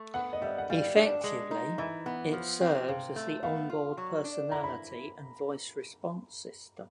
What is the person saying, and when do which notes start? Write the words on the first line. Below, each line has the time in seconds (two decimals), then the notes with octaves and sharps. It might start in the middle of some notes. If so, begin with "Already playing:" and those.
Effectively, it serves as the on-board personality and voice response system.
Already playing: A3
0.14 B3 F#5
0.33 D#5
0.42 G3 E5
0.58 F#5
0.70 G3 F5
0.96 D4
1.24 G#3
1.51 D#4
1.78 E3 E5
2.06 B3
2.33 F3
2.61 C4
2.88 C3 F5
3.16 A3
3.43 B3 F5
3.69 F4
3.98 F#3
4.24 D4
4.52 E4 A#5
4.64 B5